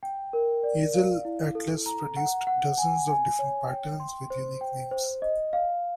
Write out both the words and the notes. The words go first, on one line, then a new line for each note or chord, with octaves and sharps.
Hazel-Atlas produced dozens of different patterns, with unique names.
G5
A#4
D5
F5
E4
A4
A#5
F#5
F#5
G#5
G#5
C#5
G5
C6
C5
G5
C5
D#5
F5